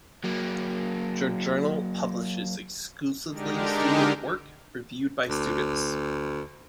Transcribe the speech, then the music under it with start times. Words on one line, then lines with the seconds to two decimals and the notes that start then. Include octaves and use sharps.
The journal publishes exclusively student work, reviewed by students.
0.24 F#3 A#3
3.29 D3 G#3 D4 D#4 G4 A#4
5.29 D2